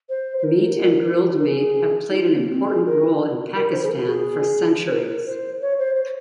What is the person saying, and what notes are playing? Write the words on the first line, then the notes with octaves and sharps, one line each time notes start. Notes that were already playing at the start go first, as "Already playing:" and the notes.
Meat and grilled meat have played an important role in Pakistan for centuries.
C5
C5
A#4
A#4
G#4
D#4
F4
A#3
C4
G#4
A#4
A#4
C5
G#4
A#4
G#4
C5
A#4
C5
C#5
C5
C5